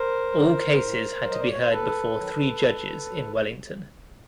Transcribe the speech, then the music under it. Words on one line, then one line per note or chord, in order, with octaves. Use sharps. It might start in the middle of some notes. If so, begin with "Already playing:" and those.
All cases had to be heard before three judges in Wellington.
Already playing: A#4 C5
C#3 F#3
A2
F#3
D#5
D5
C#5
C5
D#2 A4 B4
D#3 F#3
D2
D3 F#3